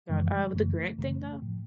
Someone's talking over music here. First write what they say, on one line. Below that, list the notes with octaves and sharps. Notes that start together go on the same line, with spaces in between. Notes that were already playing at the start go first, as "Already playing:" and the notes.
God, uh, with the Grant thing though,
F#2 C#3 E3 G#3
G#1 F#2 C#3 E3 A3
G#1 F#2 C#3 E3 A3
A2 F3